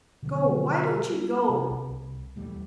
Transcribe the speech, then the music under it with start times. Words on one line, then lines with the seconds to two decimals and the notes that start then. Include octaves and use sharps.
Go--why don't you go?
0.23 B2 D3 F#3 B3
0.95 G3
1.49 C3
1.70 C2
2.36 D#1 E2 G3 A3